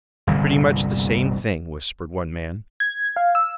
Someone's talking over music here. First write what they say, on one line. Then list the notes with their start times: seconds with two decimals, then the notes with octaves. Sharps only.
"Pretty much the same thing," whispered one man.
0.27 G1 C2 A#2 D3
2.80 G#6
3.16 F5
3.35 E6